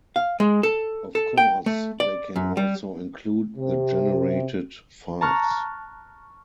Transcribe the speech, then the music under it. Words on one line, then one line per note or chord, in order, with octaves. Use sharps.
Of course, they can also include the generated files.
F5
G#3
A4
A4
G5
A3
D5
F#2
G3
C3
A5 A#5 C#6 F6 F#6